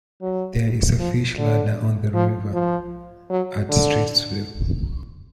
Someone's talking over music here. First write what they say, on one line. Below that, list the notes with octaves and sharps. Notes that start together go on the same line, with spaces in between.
There is a fish ladder on the river at Streetsville.
F#3
F3
D3
F3
F3
F#3
D3